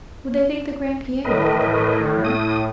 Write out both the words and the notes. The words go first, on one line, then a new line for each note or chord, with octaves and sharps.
Would they think the grand piano in the proper corner?
A2 A#4 B4 D#5
D#6